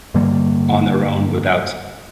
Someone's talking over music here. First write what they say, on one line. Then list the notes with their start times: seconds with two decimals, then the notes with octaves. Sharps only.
on their own without,
0.14 G2 D3 G3 A#3